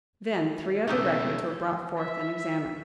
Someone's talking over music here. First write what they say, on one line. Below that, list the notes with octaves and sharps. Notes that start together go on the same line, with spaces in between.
Then three other records were brought forth and examined.
C#2 B2 A3 C#4 D#4 G4 E6 G6
E5
E5